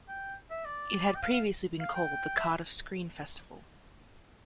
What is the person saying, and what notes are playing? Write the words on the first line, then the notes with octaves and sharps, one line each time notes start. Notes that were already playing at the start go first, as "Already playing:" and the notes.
It had previously been called the Cardiff Screen Festival.
G5
E5
D5
G5
F5
F5
F5
G5
E5